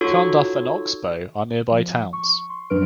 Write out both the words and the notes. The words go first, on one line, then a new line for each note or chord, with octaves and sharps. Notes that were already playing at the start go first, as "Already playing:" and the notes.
Carnduff and Oxbow are nearby towns.
D#4 F4 F#4 A4 C#5 C#6
F3
C#6
C6
F#2 F#3 D4 B4 F6 D7